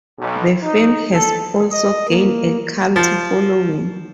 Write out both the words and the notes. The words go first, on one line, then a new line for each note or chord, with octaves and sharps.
The film has also gained a cult following.
B1
D#4
A4
D#5
A#3
F3